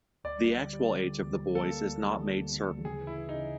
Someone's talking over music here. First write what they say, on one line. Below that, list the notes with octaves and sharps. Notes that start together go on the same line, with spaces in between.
The actual age of the boys is not made certain.
D2 D5
G3
D3
G3
D3
D3
D2
G3
A#3 A4
A#3
D2
G3
D3
D2
D3
D2
C#3 G#4
E3
E4
E3
D#4
C#3